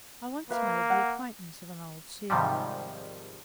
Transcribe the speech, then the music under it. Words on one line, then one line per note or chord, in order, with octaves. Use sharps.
I once made the acquaintance of an old sealer.
A#3 B4 E5 F5
F#5
G#2 C3 D#3 F3 G3